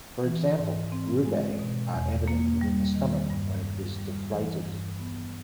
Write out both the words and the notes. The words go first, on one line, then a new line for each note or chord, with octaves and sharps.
For example, rugae are evident within the stomach when it is deflated.
E3
G#2
C4
G#3
B2
E2
A#3
G3
D#3
G2
G2
G3
E3
G2
B3